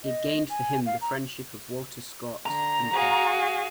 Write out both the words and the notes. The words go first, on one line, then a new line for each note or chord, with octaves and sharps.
It gained for him the friendship of Walter Scott and Hogg.
D#5
G#5
F5
A#5
D3 A#5
F#4 G#4 F5